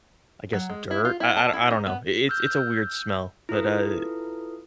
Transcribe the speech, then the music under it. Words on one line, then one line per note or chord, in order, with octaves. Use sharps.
I guess, dirt, I I d I don't know, it's it's a weird smell, but, uh,
F#3
G#3
E4
F4
E4
A5
E4
D#4
B3
E6 F6 G6
E4 F4 A4 B4